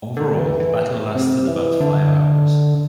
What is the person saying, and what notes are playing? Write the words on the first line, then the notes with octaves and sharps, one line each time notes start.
Overall, the battle lasted about five hours.
D3
E3
E3
C3
E3
D3